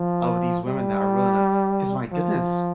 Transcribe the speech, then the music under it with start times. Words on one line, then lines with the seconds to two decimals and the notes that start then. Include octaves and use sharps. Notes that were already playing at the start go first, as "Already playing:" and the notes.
of these women that are willing to 'cause my goodness.
Already playing: F3
0.66 G3
2.12 F3